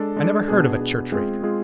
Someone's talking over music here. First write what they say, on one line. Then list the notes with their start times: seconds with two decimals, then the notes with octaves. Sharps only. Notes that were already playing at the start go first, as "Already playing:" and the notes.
"I never heard of a church-rate."
Already playing: G#3 D4 A4
0.16 G#3 D4 A4
0.48 B2 B3 D4 G#4
0.80 B2 B3 D4 G#4
1.12 G#3 C4 F4 G#4
1.43 G#3 C4 F4 G#4